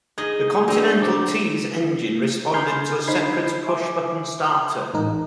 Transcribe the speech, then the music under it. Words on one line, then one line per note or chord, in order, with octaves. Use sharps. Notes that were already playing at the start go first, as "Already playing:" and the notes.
The Continental T's engine responded to a separate push-button starter.
D#4 G#4 D#5 G#6
C4 D4 D#4 F#4 G#4
D3 C5 D6
G#5 B5 C6 F6 G6 G#6
D3 D#4 C5 B5 G#6 C7
E5 G#5 D6
A1 G#2 D#4 A#4